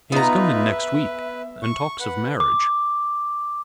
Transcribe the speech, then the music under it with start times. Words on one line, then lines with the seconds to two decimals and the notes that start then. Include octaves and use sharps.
"He is going next week, and talks of marriage."
0.12 B3 D#4 F4 B4 E5 A#5
0.70 B4
1.62 C#6
2.00 B4 F#5
2.40 D6